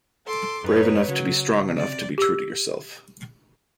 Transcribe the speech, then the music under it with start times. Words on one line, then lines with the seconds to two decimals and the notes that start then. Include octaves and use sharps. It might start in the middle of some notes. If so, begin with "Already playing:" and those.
Brave enough to be strong enough to be true to yourself.
0.25 A4 C6 D6
0.64 F#2 D#4 B4 C#5
1.08 C#3 F#3
1.73 C3 D5
2.18 G4 E6